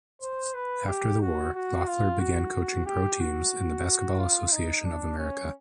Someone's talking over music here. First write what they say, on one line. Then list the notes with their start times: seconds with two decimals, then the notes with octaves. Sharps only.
After the war Loeffler began coaching pro teams in the Basketball Association of America.
0.21 C5
0.54 B4
0.87 G4
1.21 F#4
1.54 F#4
1.87 F4
2.19 F#4
2.86 G4
3.20 F#4
4.19 F4
4.52 D#4
4.85 D4
5.18 C#4